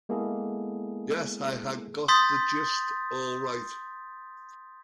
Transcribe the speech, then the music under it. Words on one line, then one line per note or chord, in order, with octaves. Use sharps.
Yes, I had got the gist all right.
G#3 A#3 B3 E4 G#4 A4
C6 D#6 G6 A6 B6